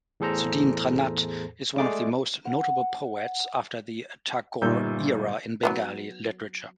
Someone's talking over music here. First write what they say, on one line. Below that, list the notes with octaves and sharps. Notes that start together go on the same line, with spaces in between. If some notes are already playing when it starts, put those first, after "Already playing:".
Sudhindranath is one of the most notable poets after the Tagore-era in Bengali literature.
E2 A2 G#4 A4 C5 A#5
G#3 A3 G#4 D5 D6
F#5
G1 A#2 G3 D#4 E6 G6
F#3 G3 B3